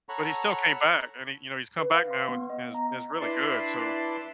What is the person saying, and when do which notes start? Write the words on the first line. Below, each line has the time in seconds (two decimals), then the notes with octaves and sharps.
but he still came back, and he you know, he's come back now, and is is really good, so
0.09 A4 C#5 F#5 A#5 B5 C#6
1.79 B4
1.95 F5
2.11 C6
2.29 B3
2.50 D#5
2.75 A#5
3.21 D4 E4 B4 D5 A5 C6